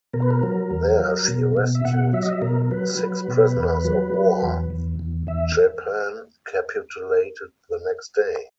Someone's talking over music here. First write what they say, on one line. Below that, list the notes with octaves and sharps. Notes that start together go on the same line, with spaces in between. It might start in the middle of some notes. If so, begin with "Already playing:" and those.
There she rescued six prisoners of war; Japan capitulated the next day.
B2 A#4
B4
A#4
F#3
E2
F#3
B2
B2
E5
B2 F#5
F#3 E5
D#5
E5
B2 A#4
F#3 B4
F#3
B2
E2
F#3
F#3
E2
E2
E2
E2 E5